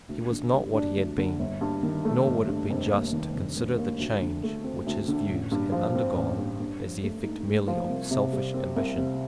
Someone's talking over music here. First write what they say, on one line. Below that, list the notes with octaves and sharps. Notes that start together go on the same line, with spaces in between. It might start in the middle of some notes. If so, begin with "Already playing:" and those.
He was not what he had been; nor would it be just to consider the change which his views had undergone as the effect merely of selfish ambition.
D2
D3
G3
D4
D2
D3
G1
G2
D#3
A3
G1
G2
F1
D#2
D#3
F1
F1
D#2
D2
D3
A3
C4
D2
D3
A1
G2
F3
C4
A1
G2
G2
F3
A3
D#4
G2
F3
C2
C3
G3
C4
C2
C3